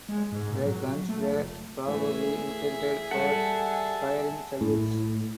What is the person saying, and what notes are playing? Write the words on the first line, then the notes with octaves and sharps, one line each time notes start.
The guns were probably intended for firing salutes.
G#3
G#2
A#2
F#3
A3
F1
E3 A3 G#4 C#5 E5
G3 A4 F#5 A5
A2